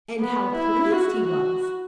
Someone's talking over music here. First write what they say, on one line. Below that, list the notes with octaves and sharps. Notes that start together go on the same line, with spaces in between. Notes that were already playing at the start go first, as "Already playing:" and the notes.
And how pleased he was!
B3
E4
F#4
F#4